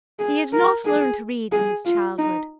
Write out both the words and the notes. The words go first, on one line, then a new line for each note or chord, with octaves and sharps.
He had not learned to read in his childhood.
G#4
A#4
G#4
G#4
F4
D#4